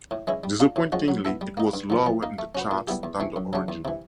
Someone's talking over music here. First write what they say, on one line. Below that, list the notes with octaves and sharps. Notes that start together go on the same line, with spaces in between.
Disappointingly it was lower in the charts than the original.
A2
E3 G#3 C#4 E4
G3
A#3 D4 F4
A2
F3 G#3 C#4 F#4
F#3
B3 E4 A4
G3
A#3 D#4
G2
D3 F3
F3
A#3 D#4
A3
C#4 F#4 B4
A#2
G3 B3 E4 G4
E2
C3 E3 A3
F#2
C#3 F#3 A3 D4
E2
C3 E3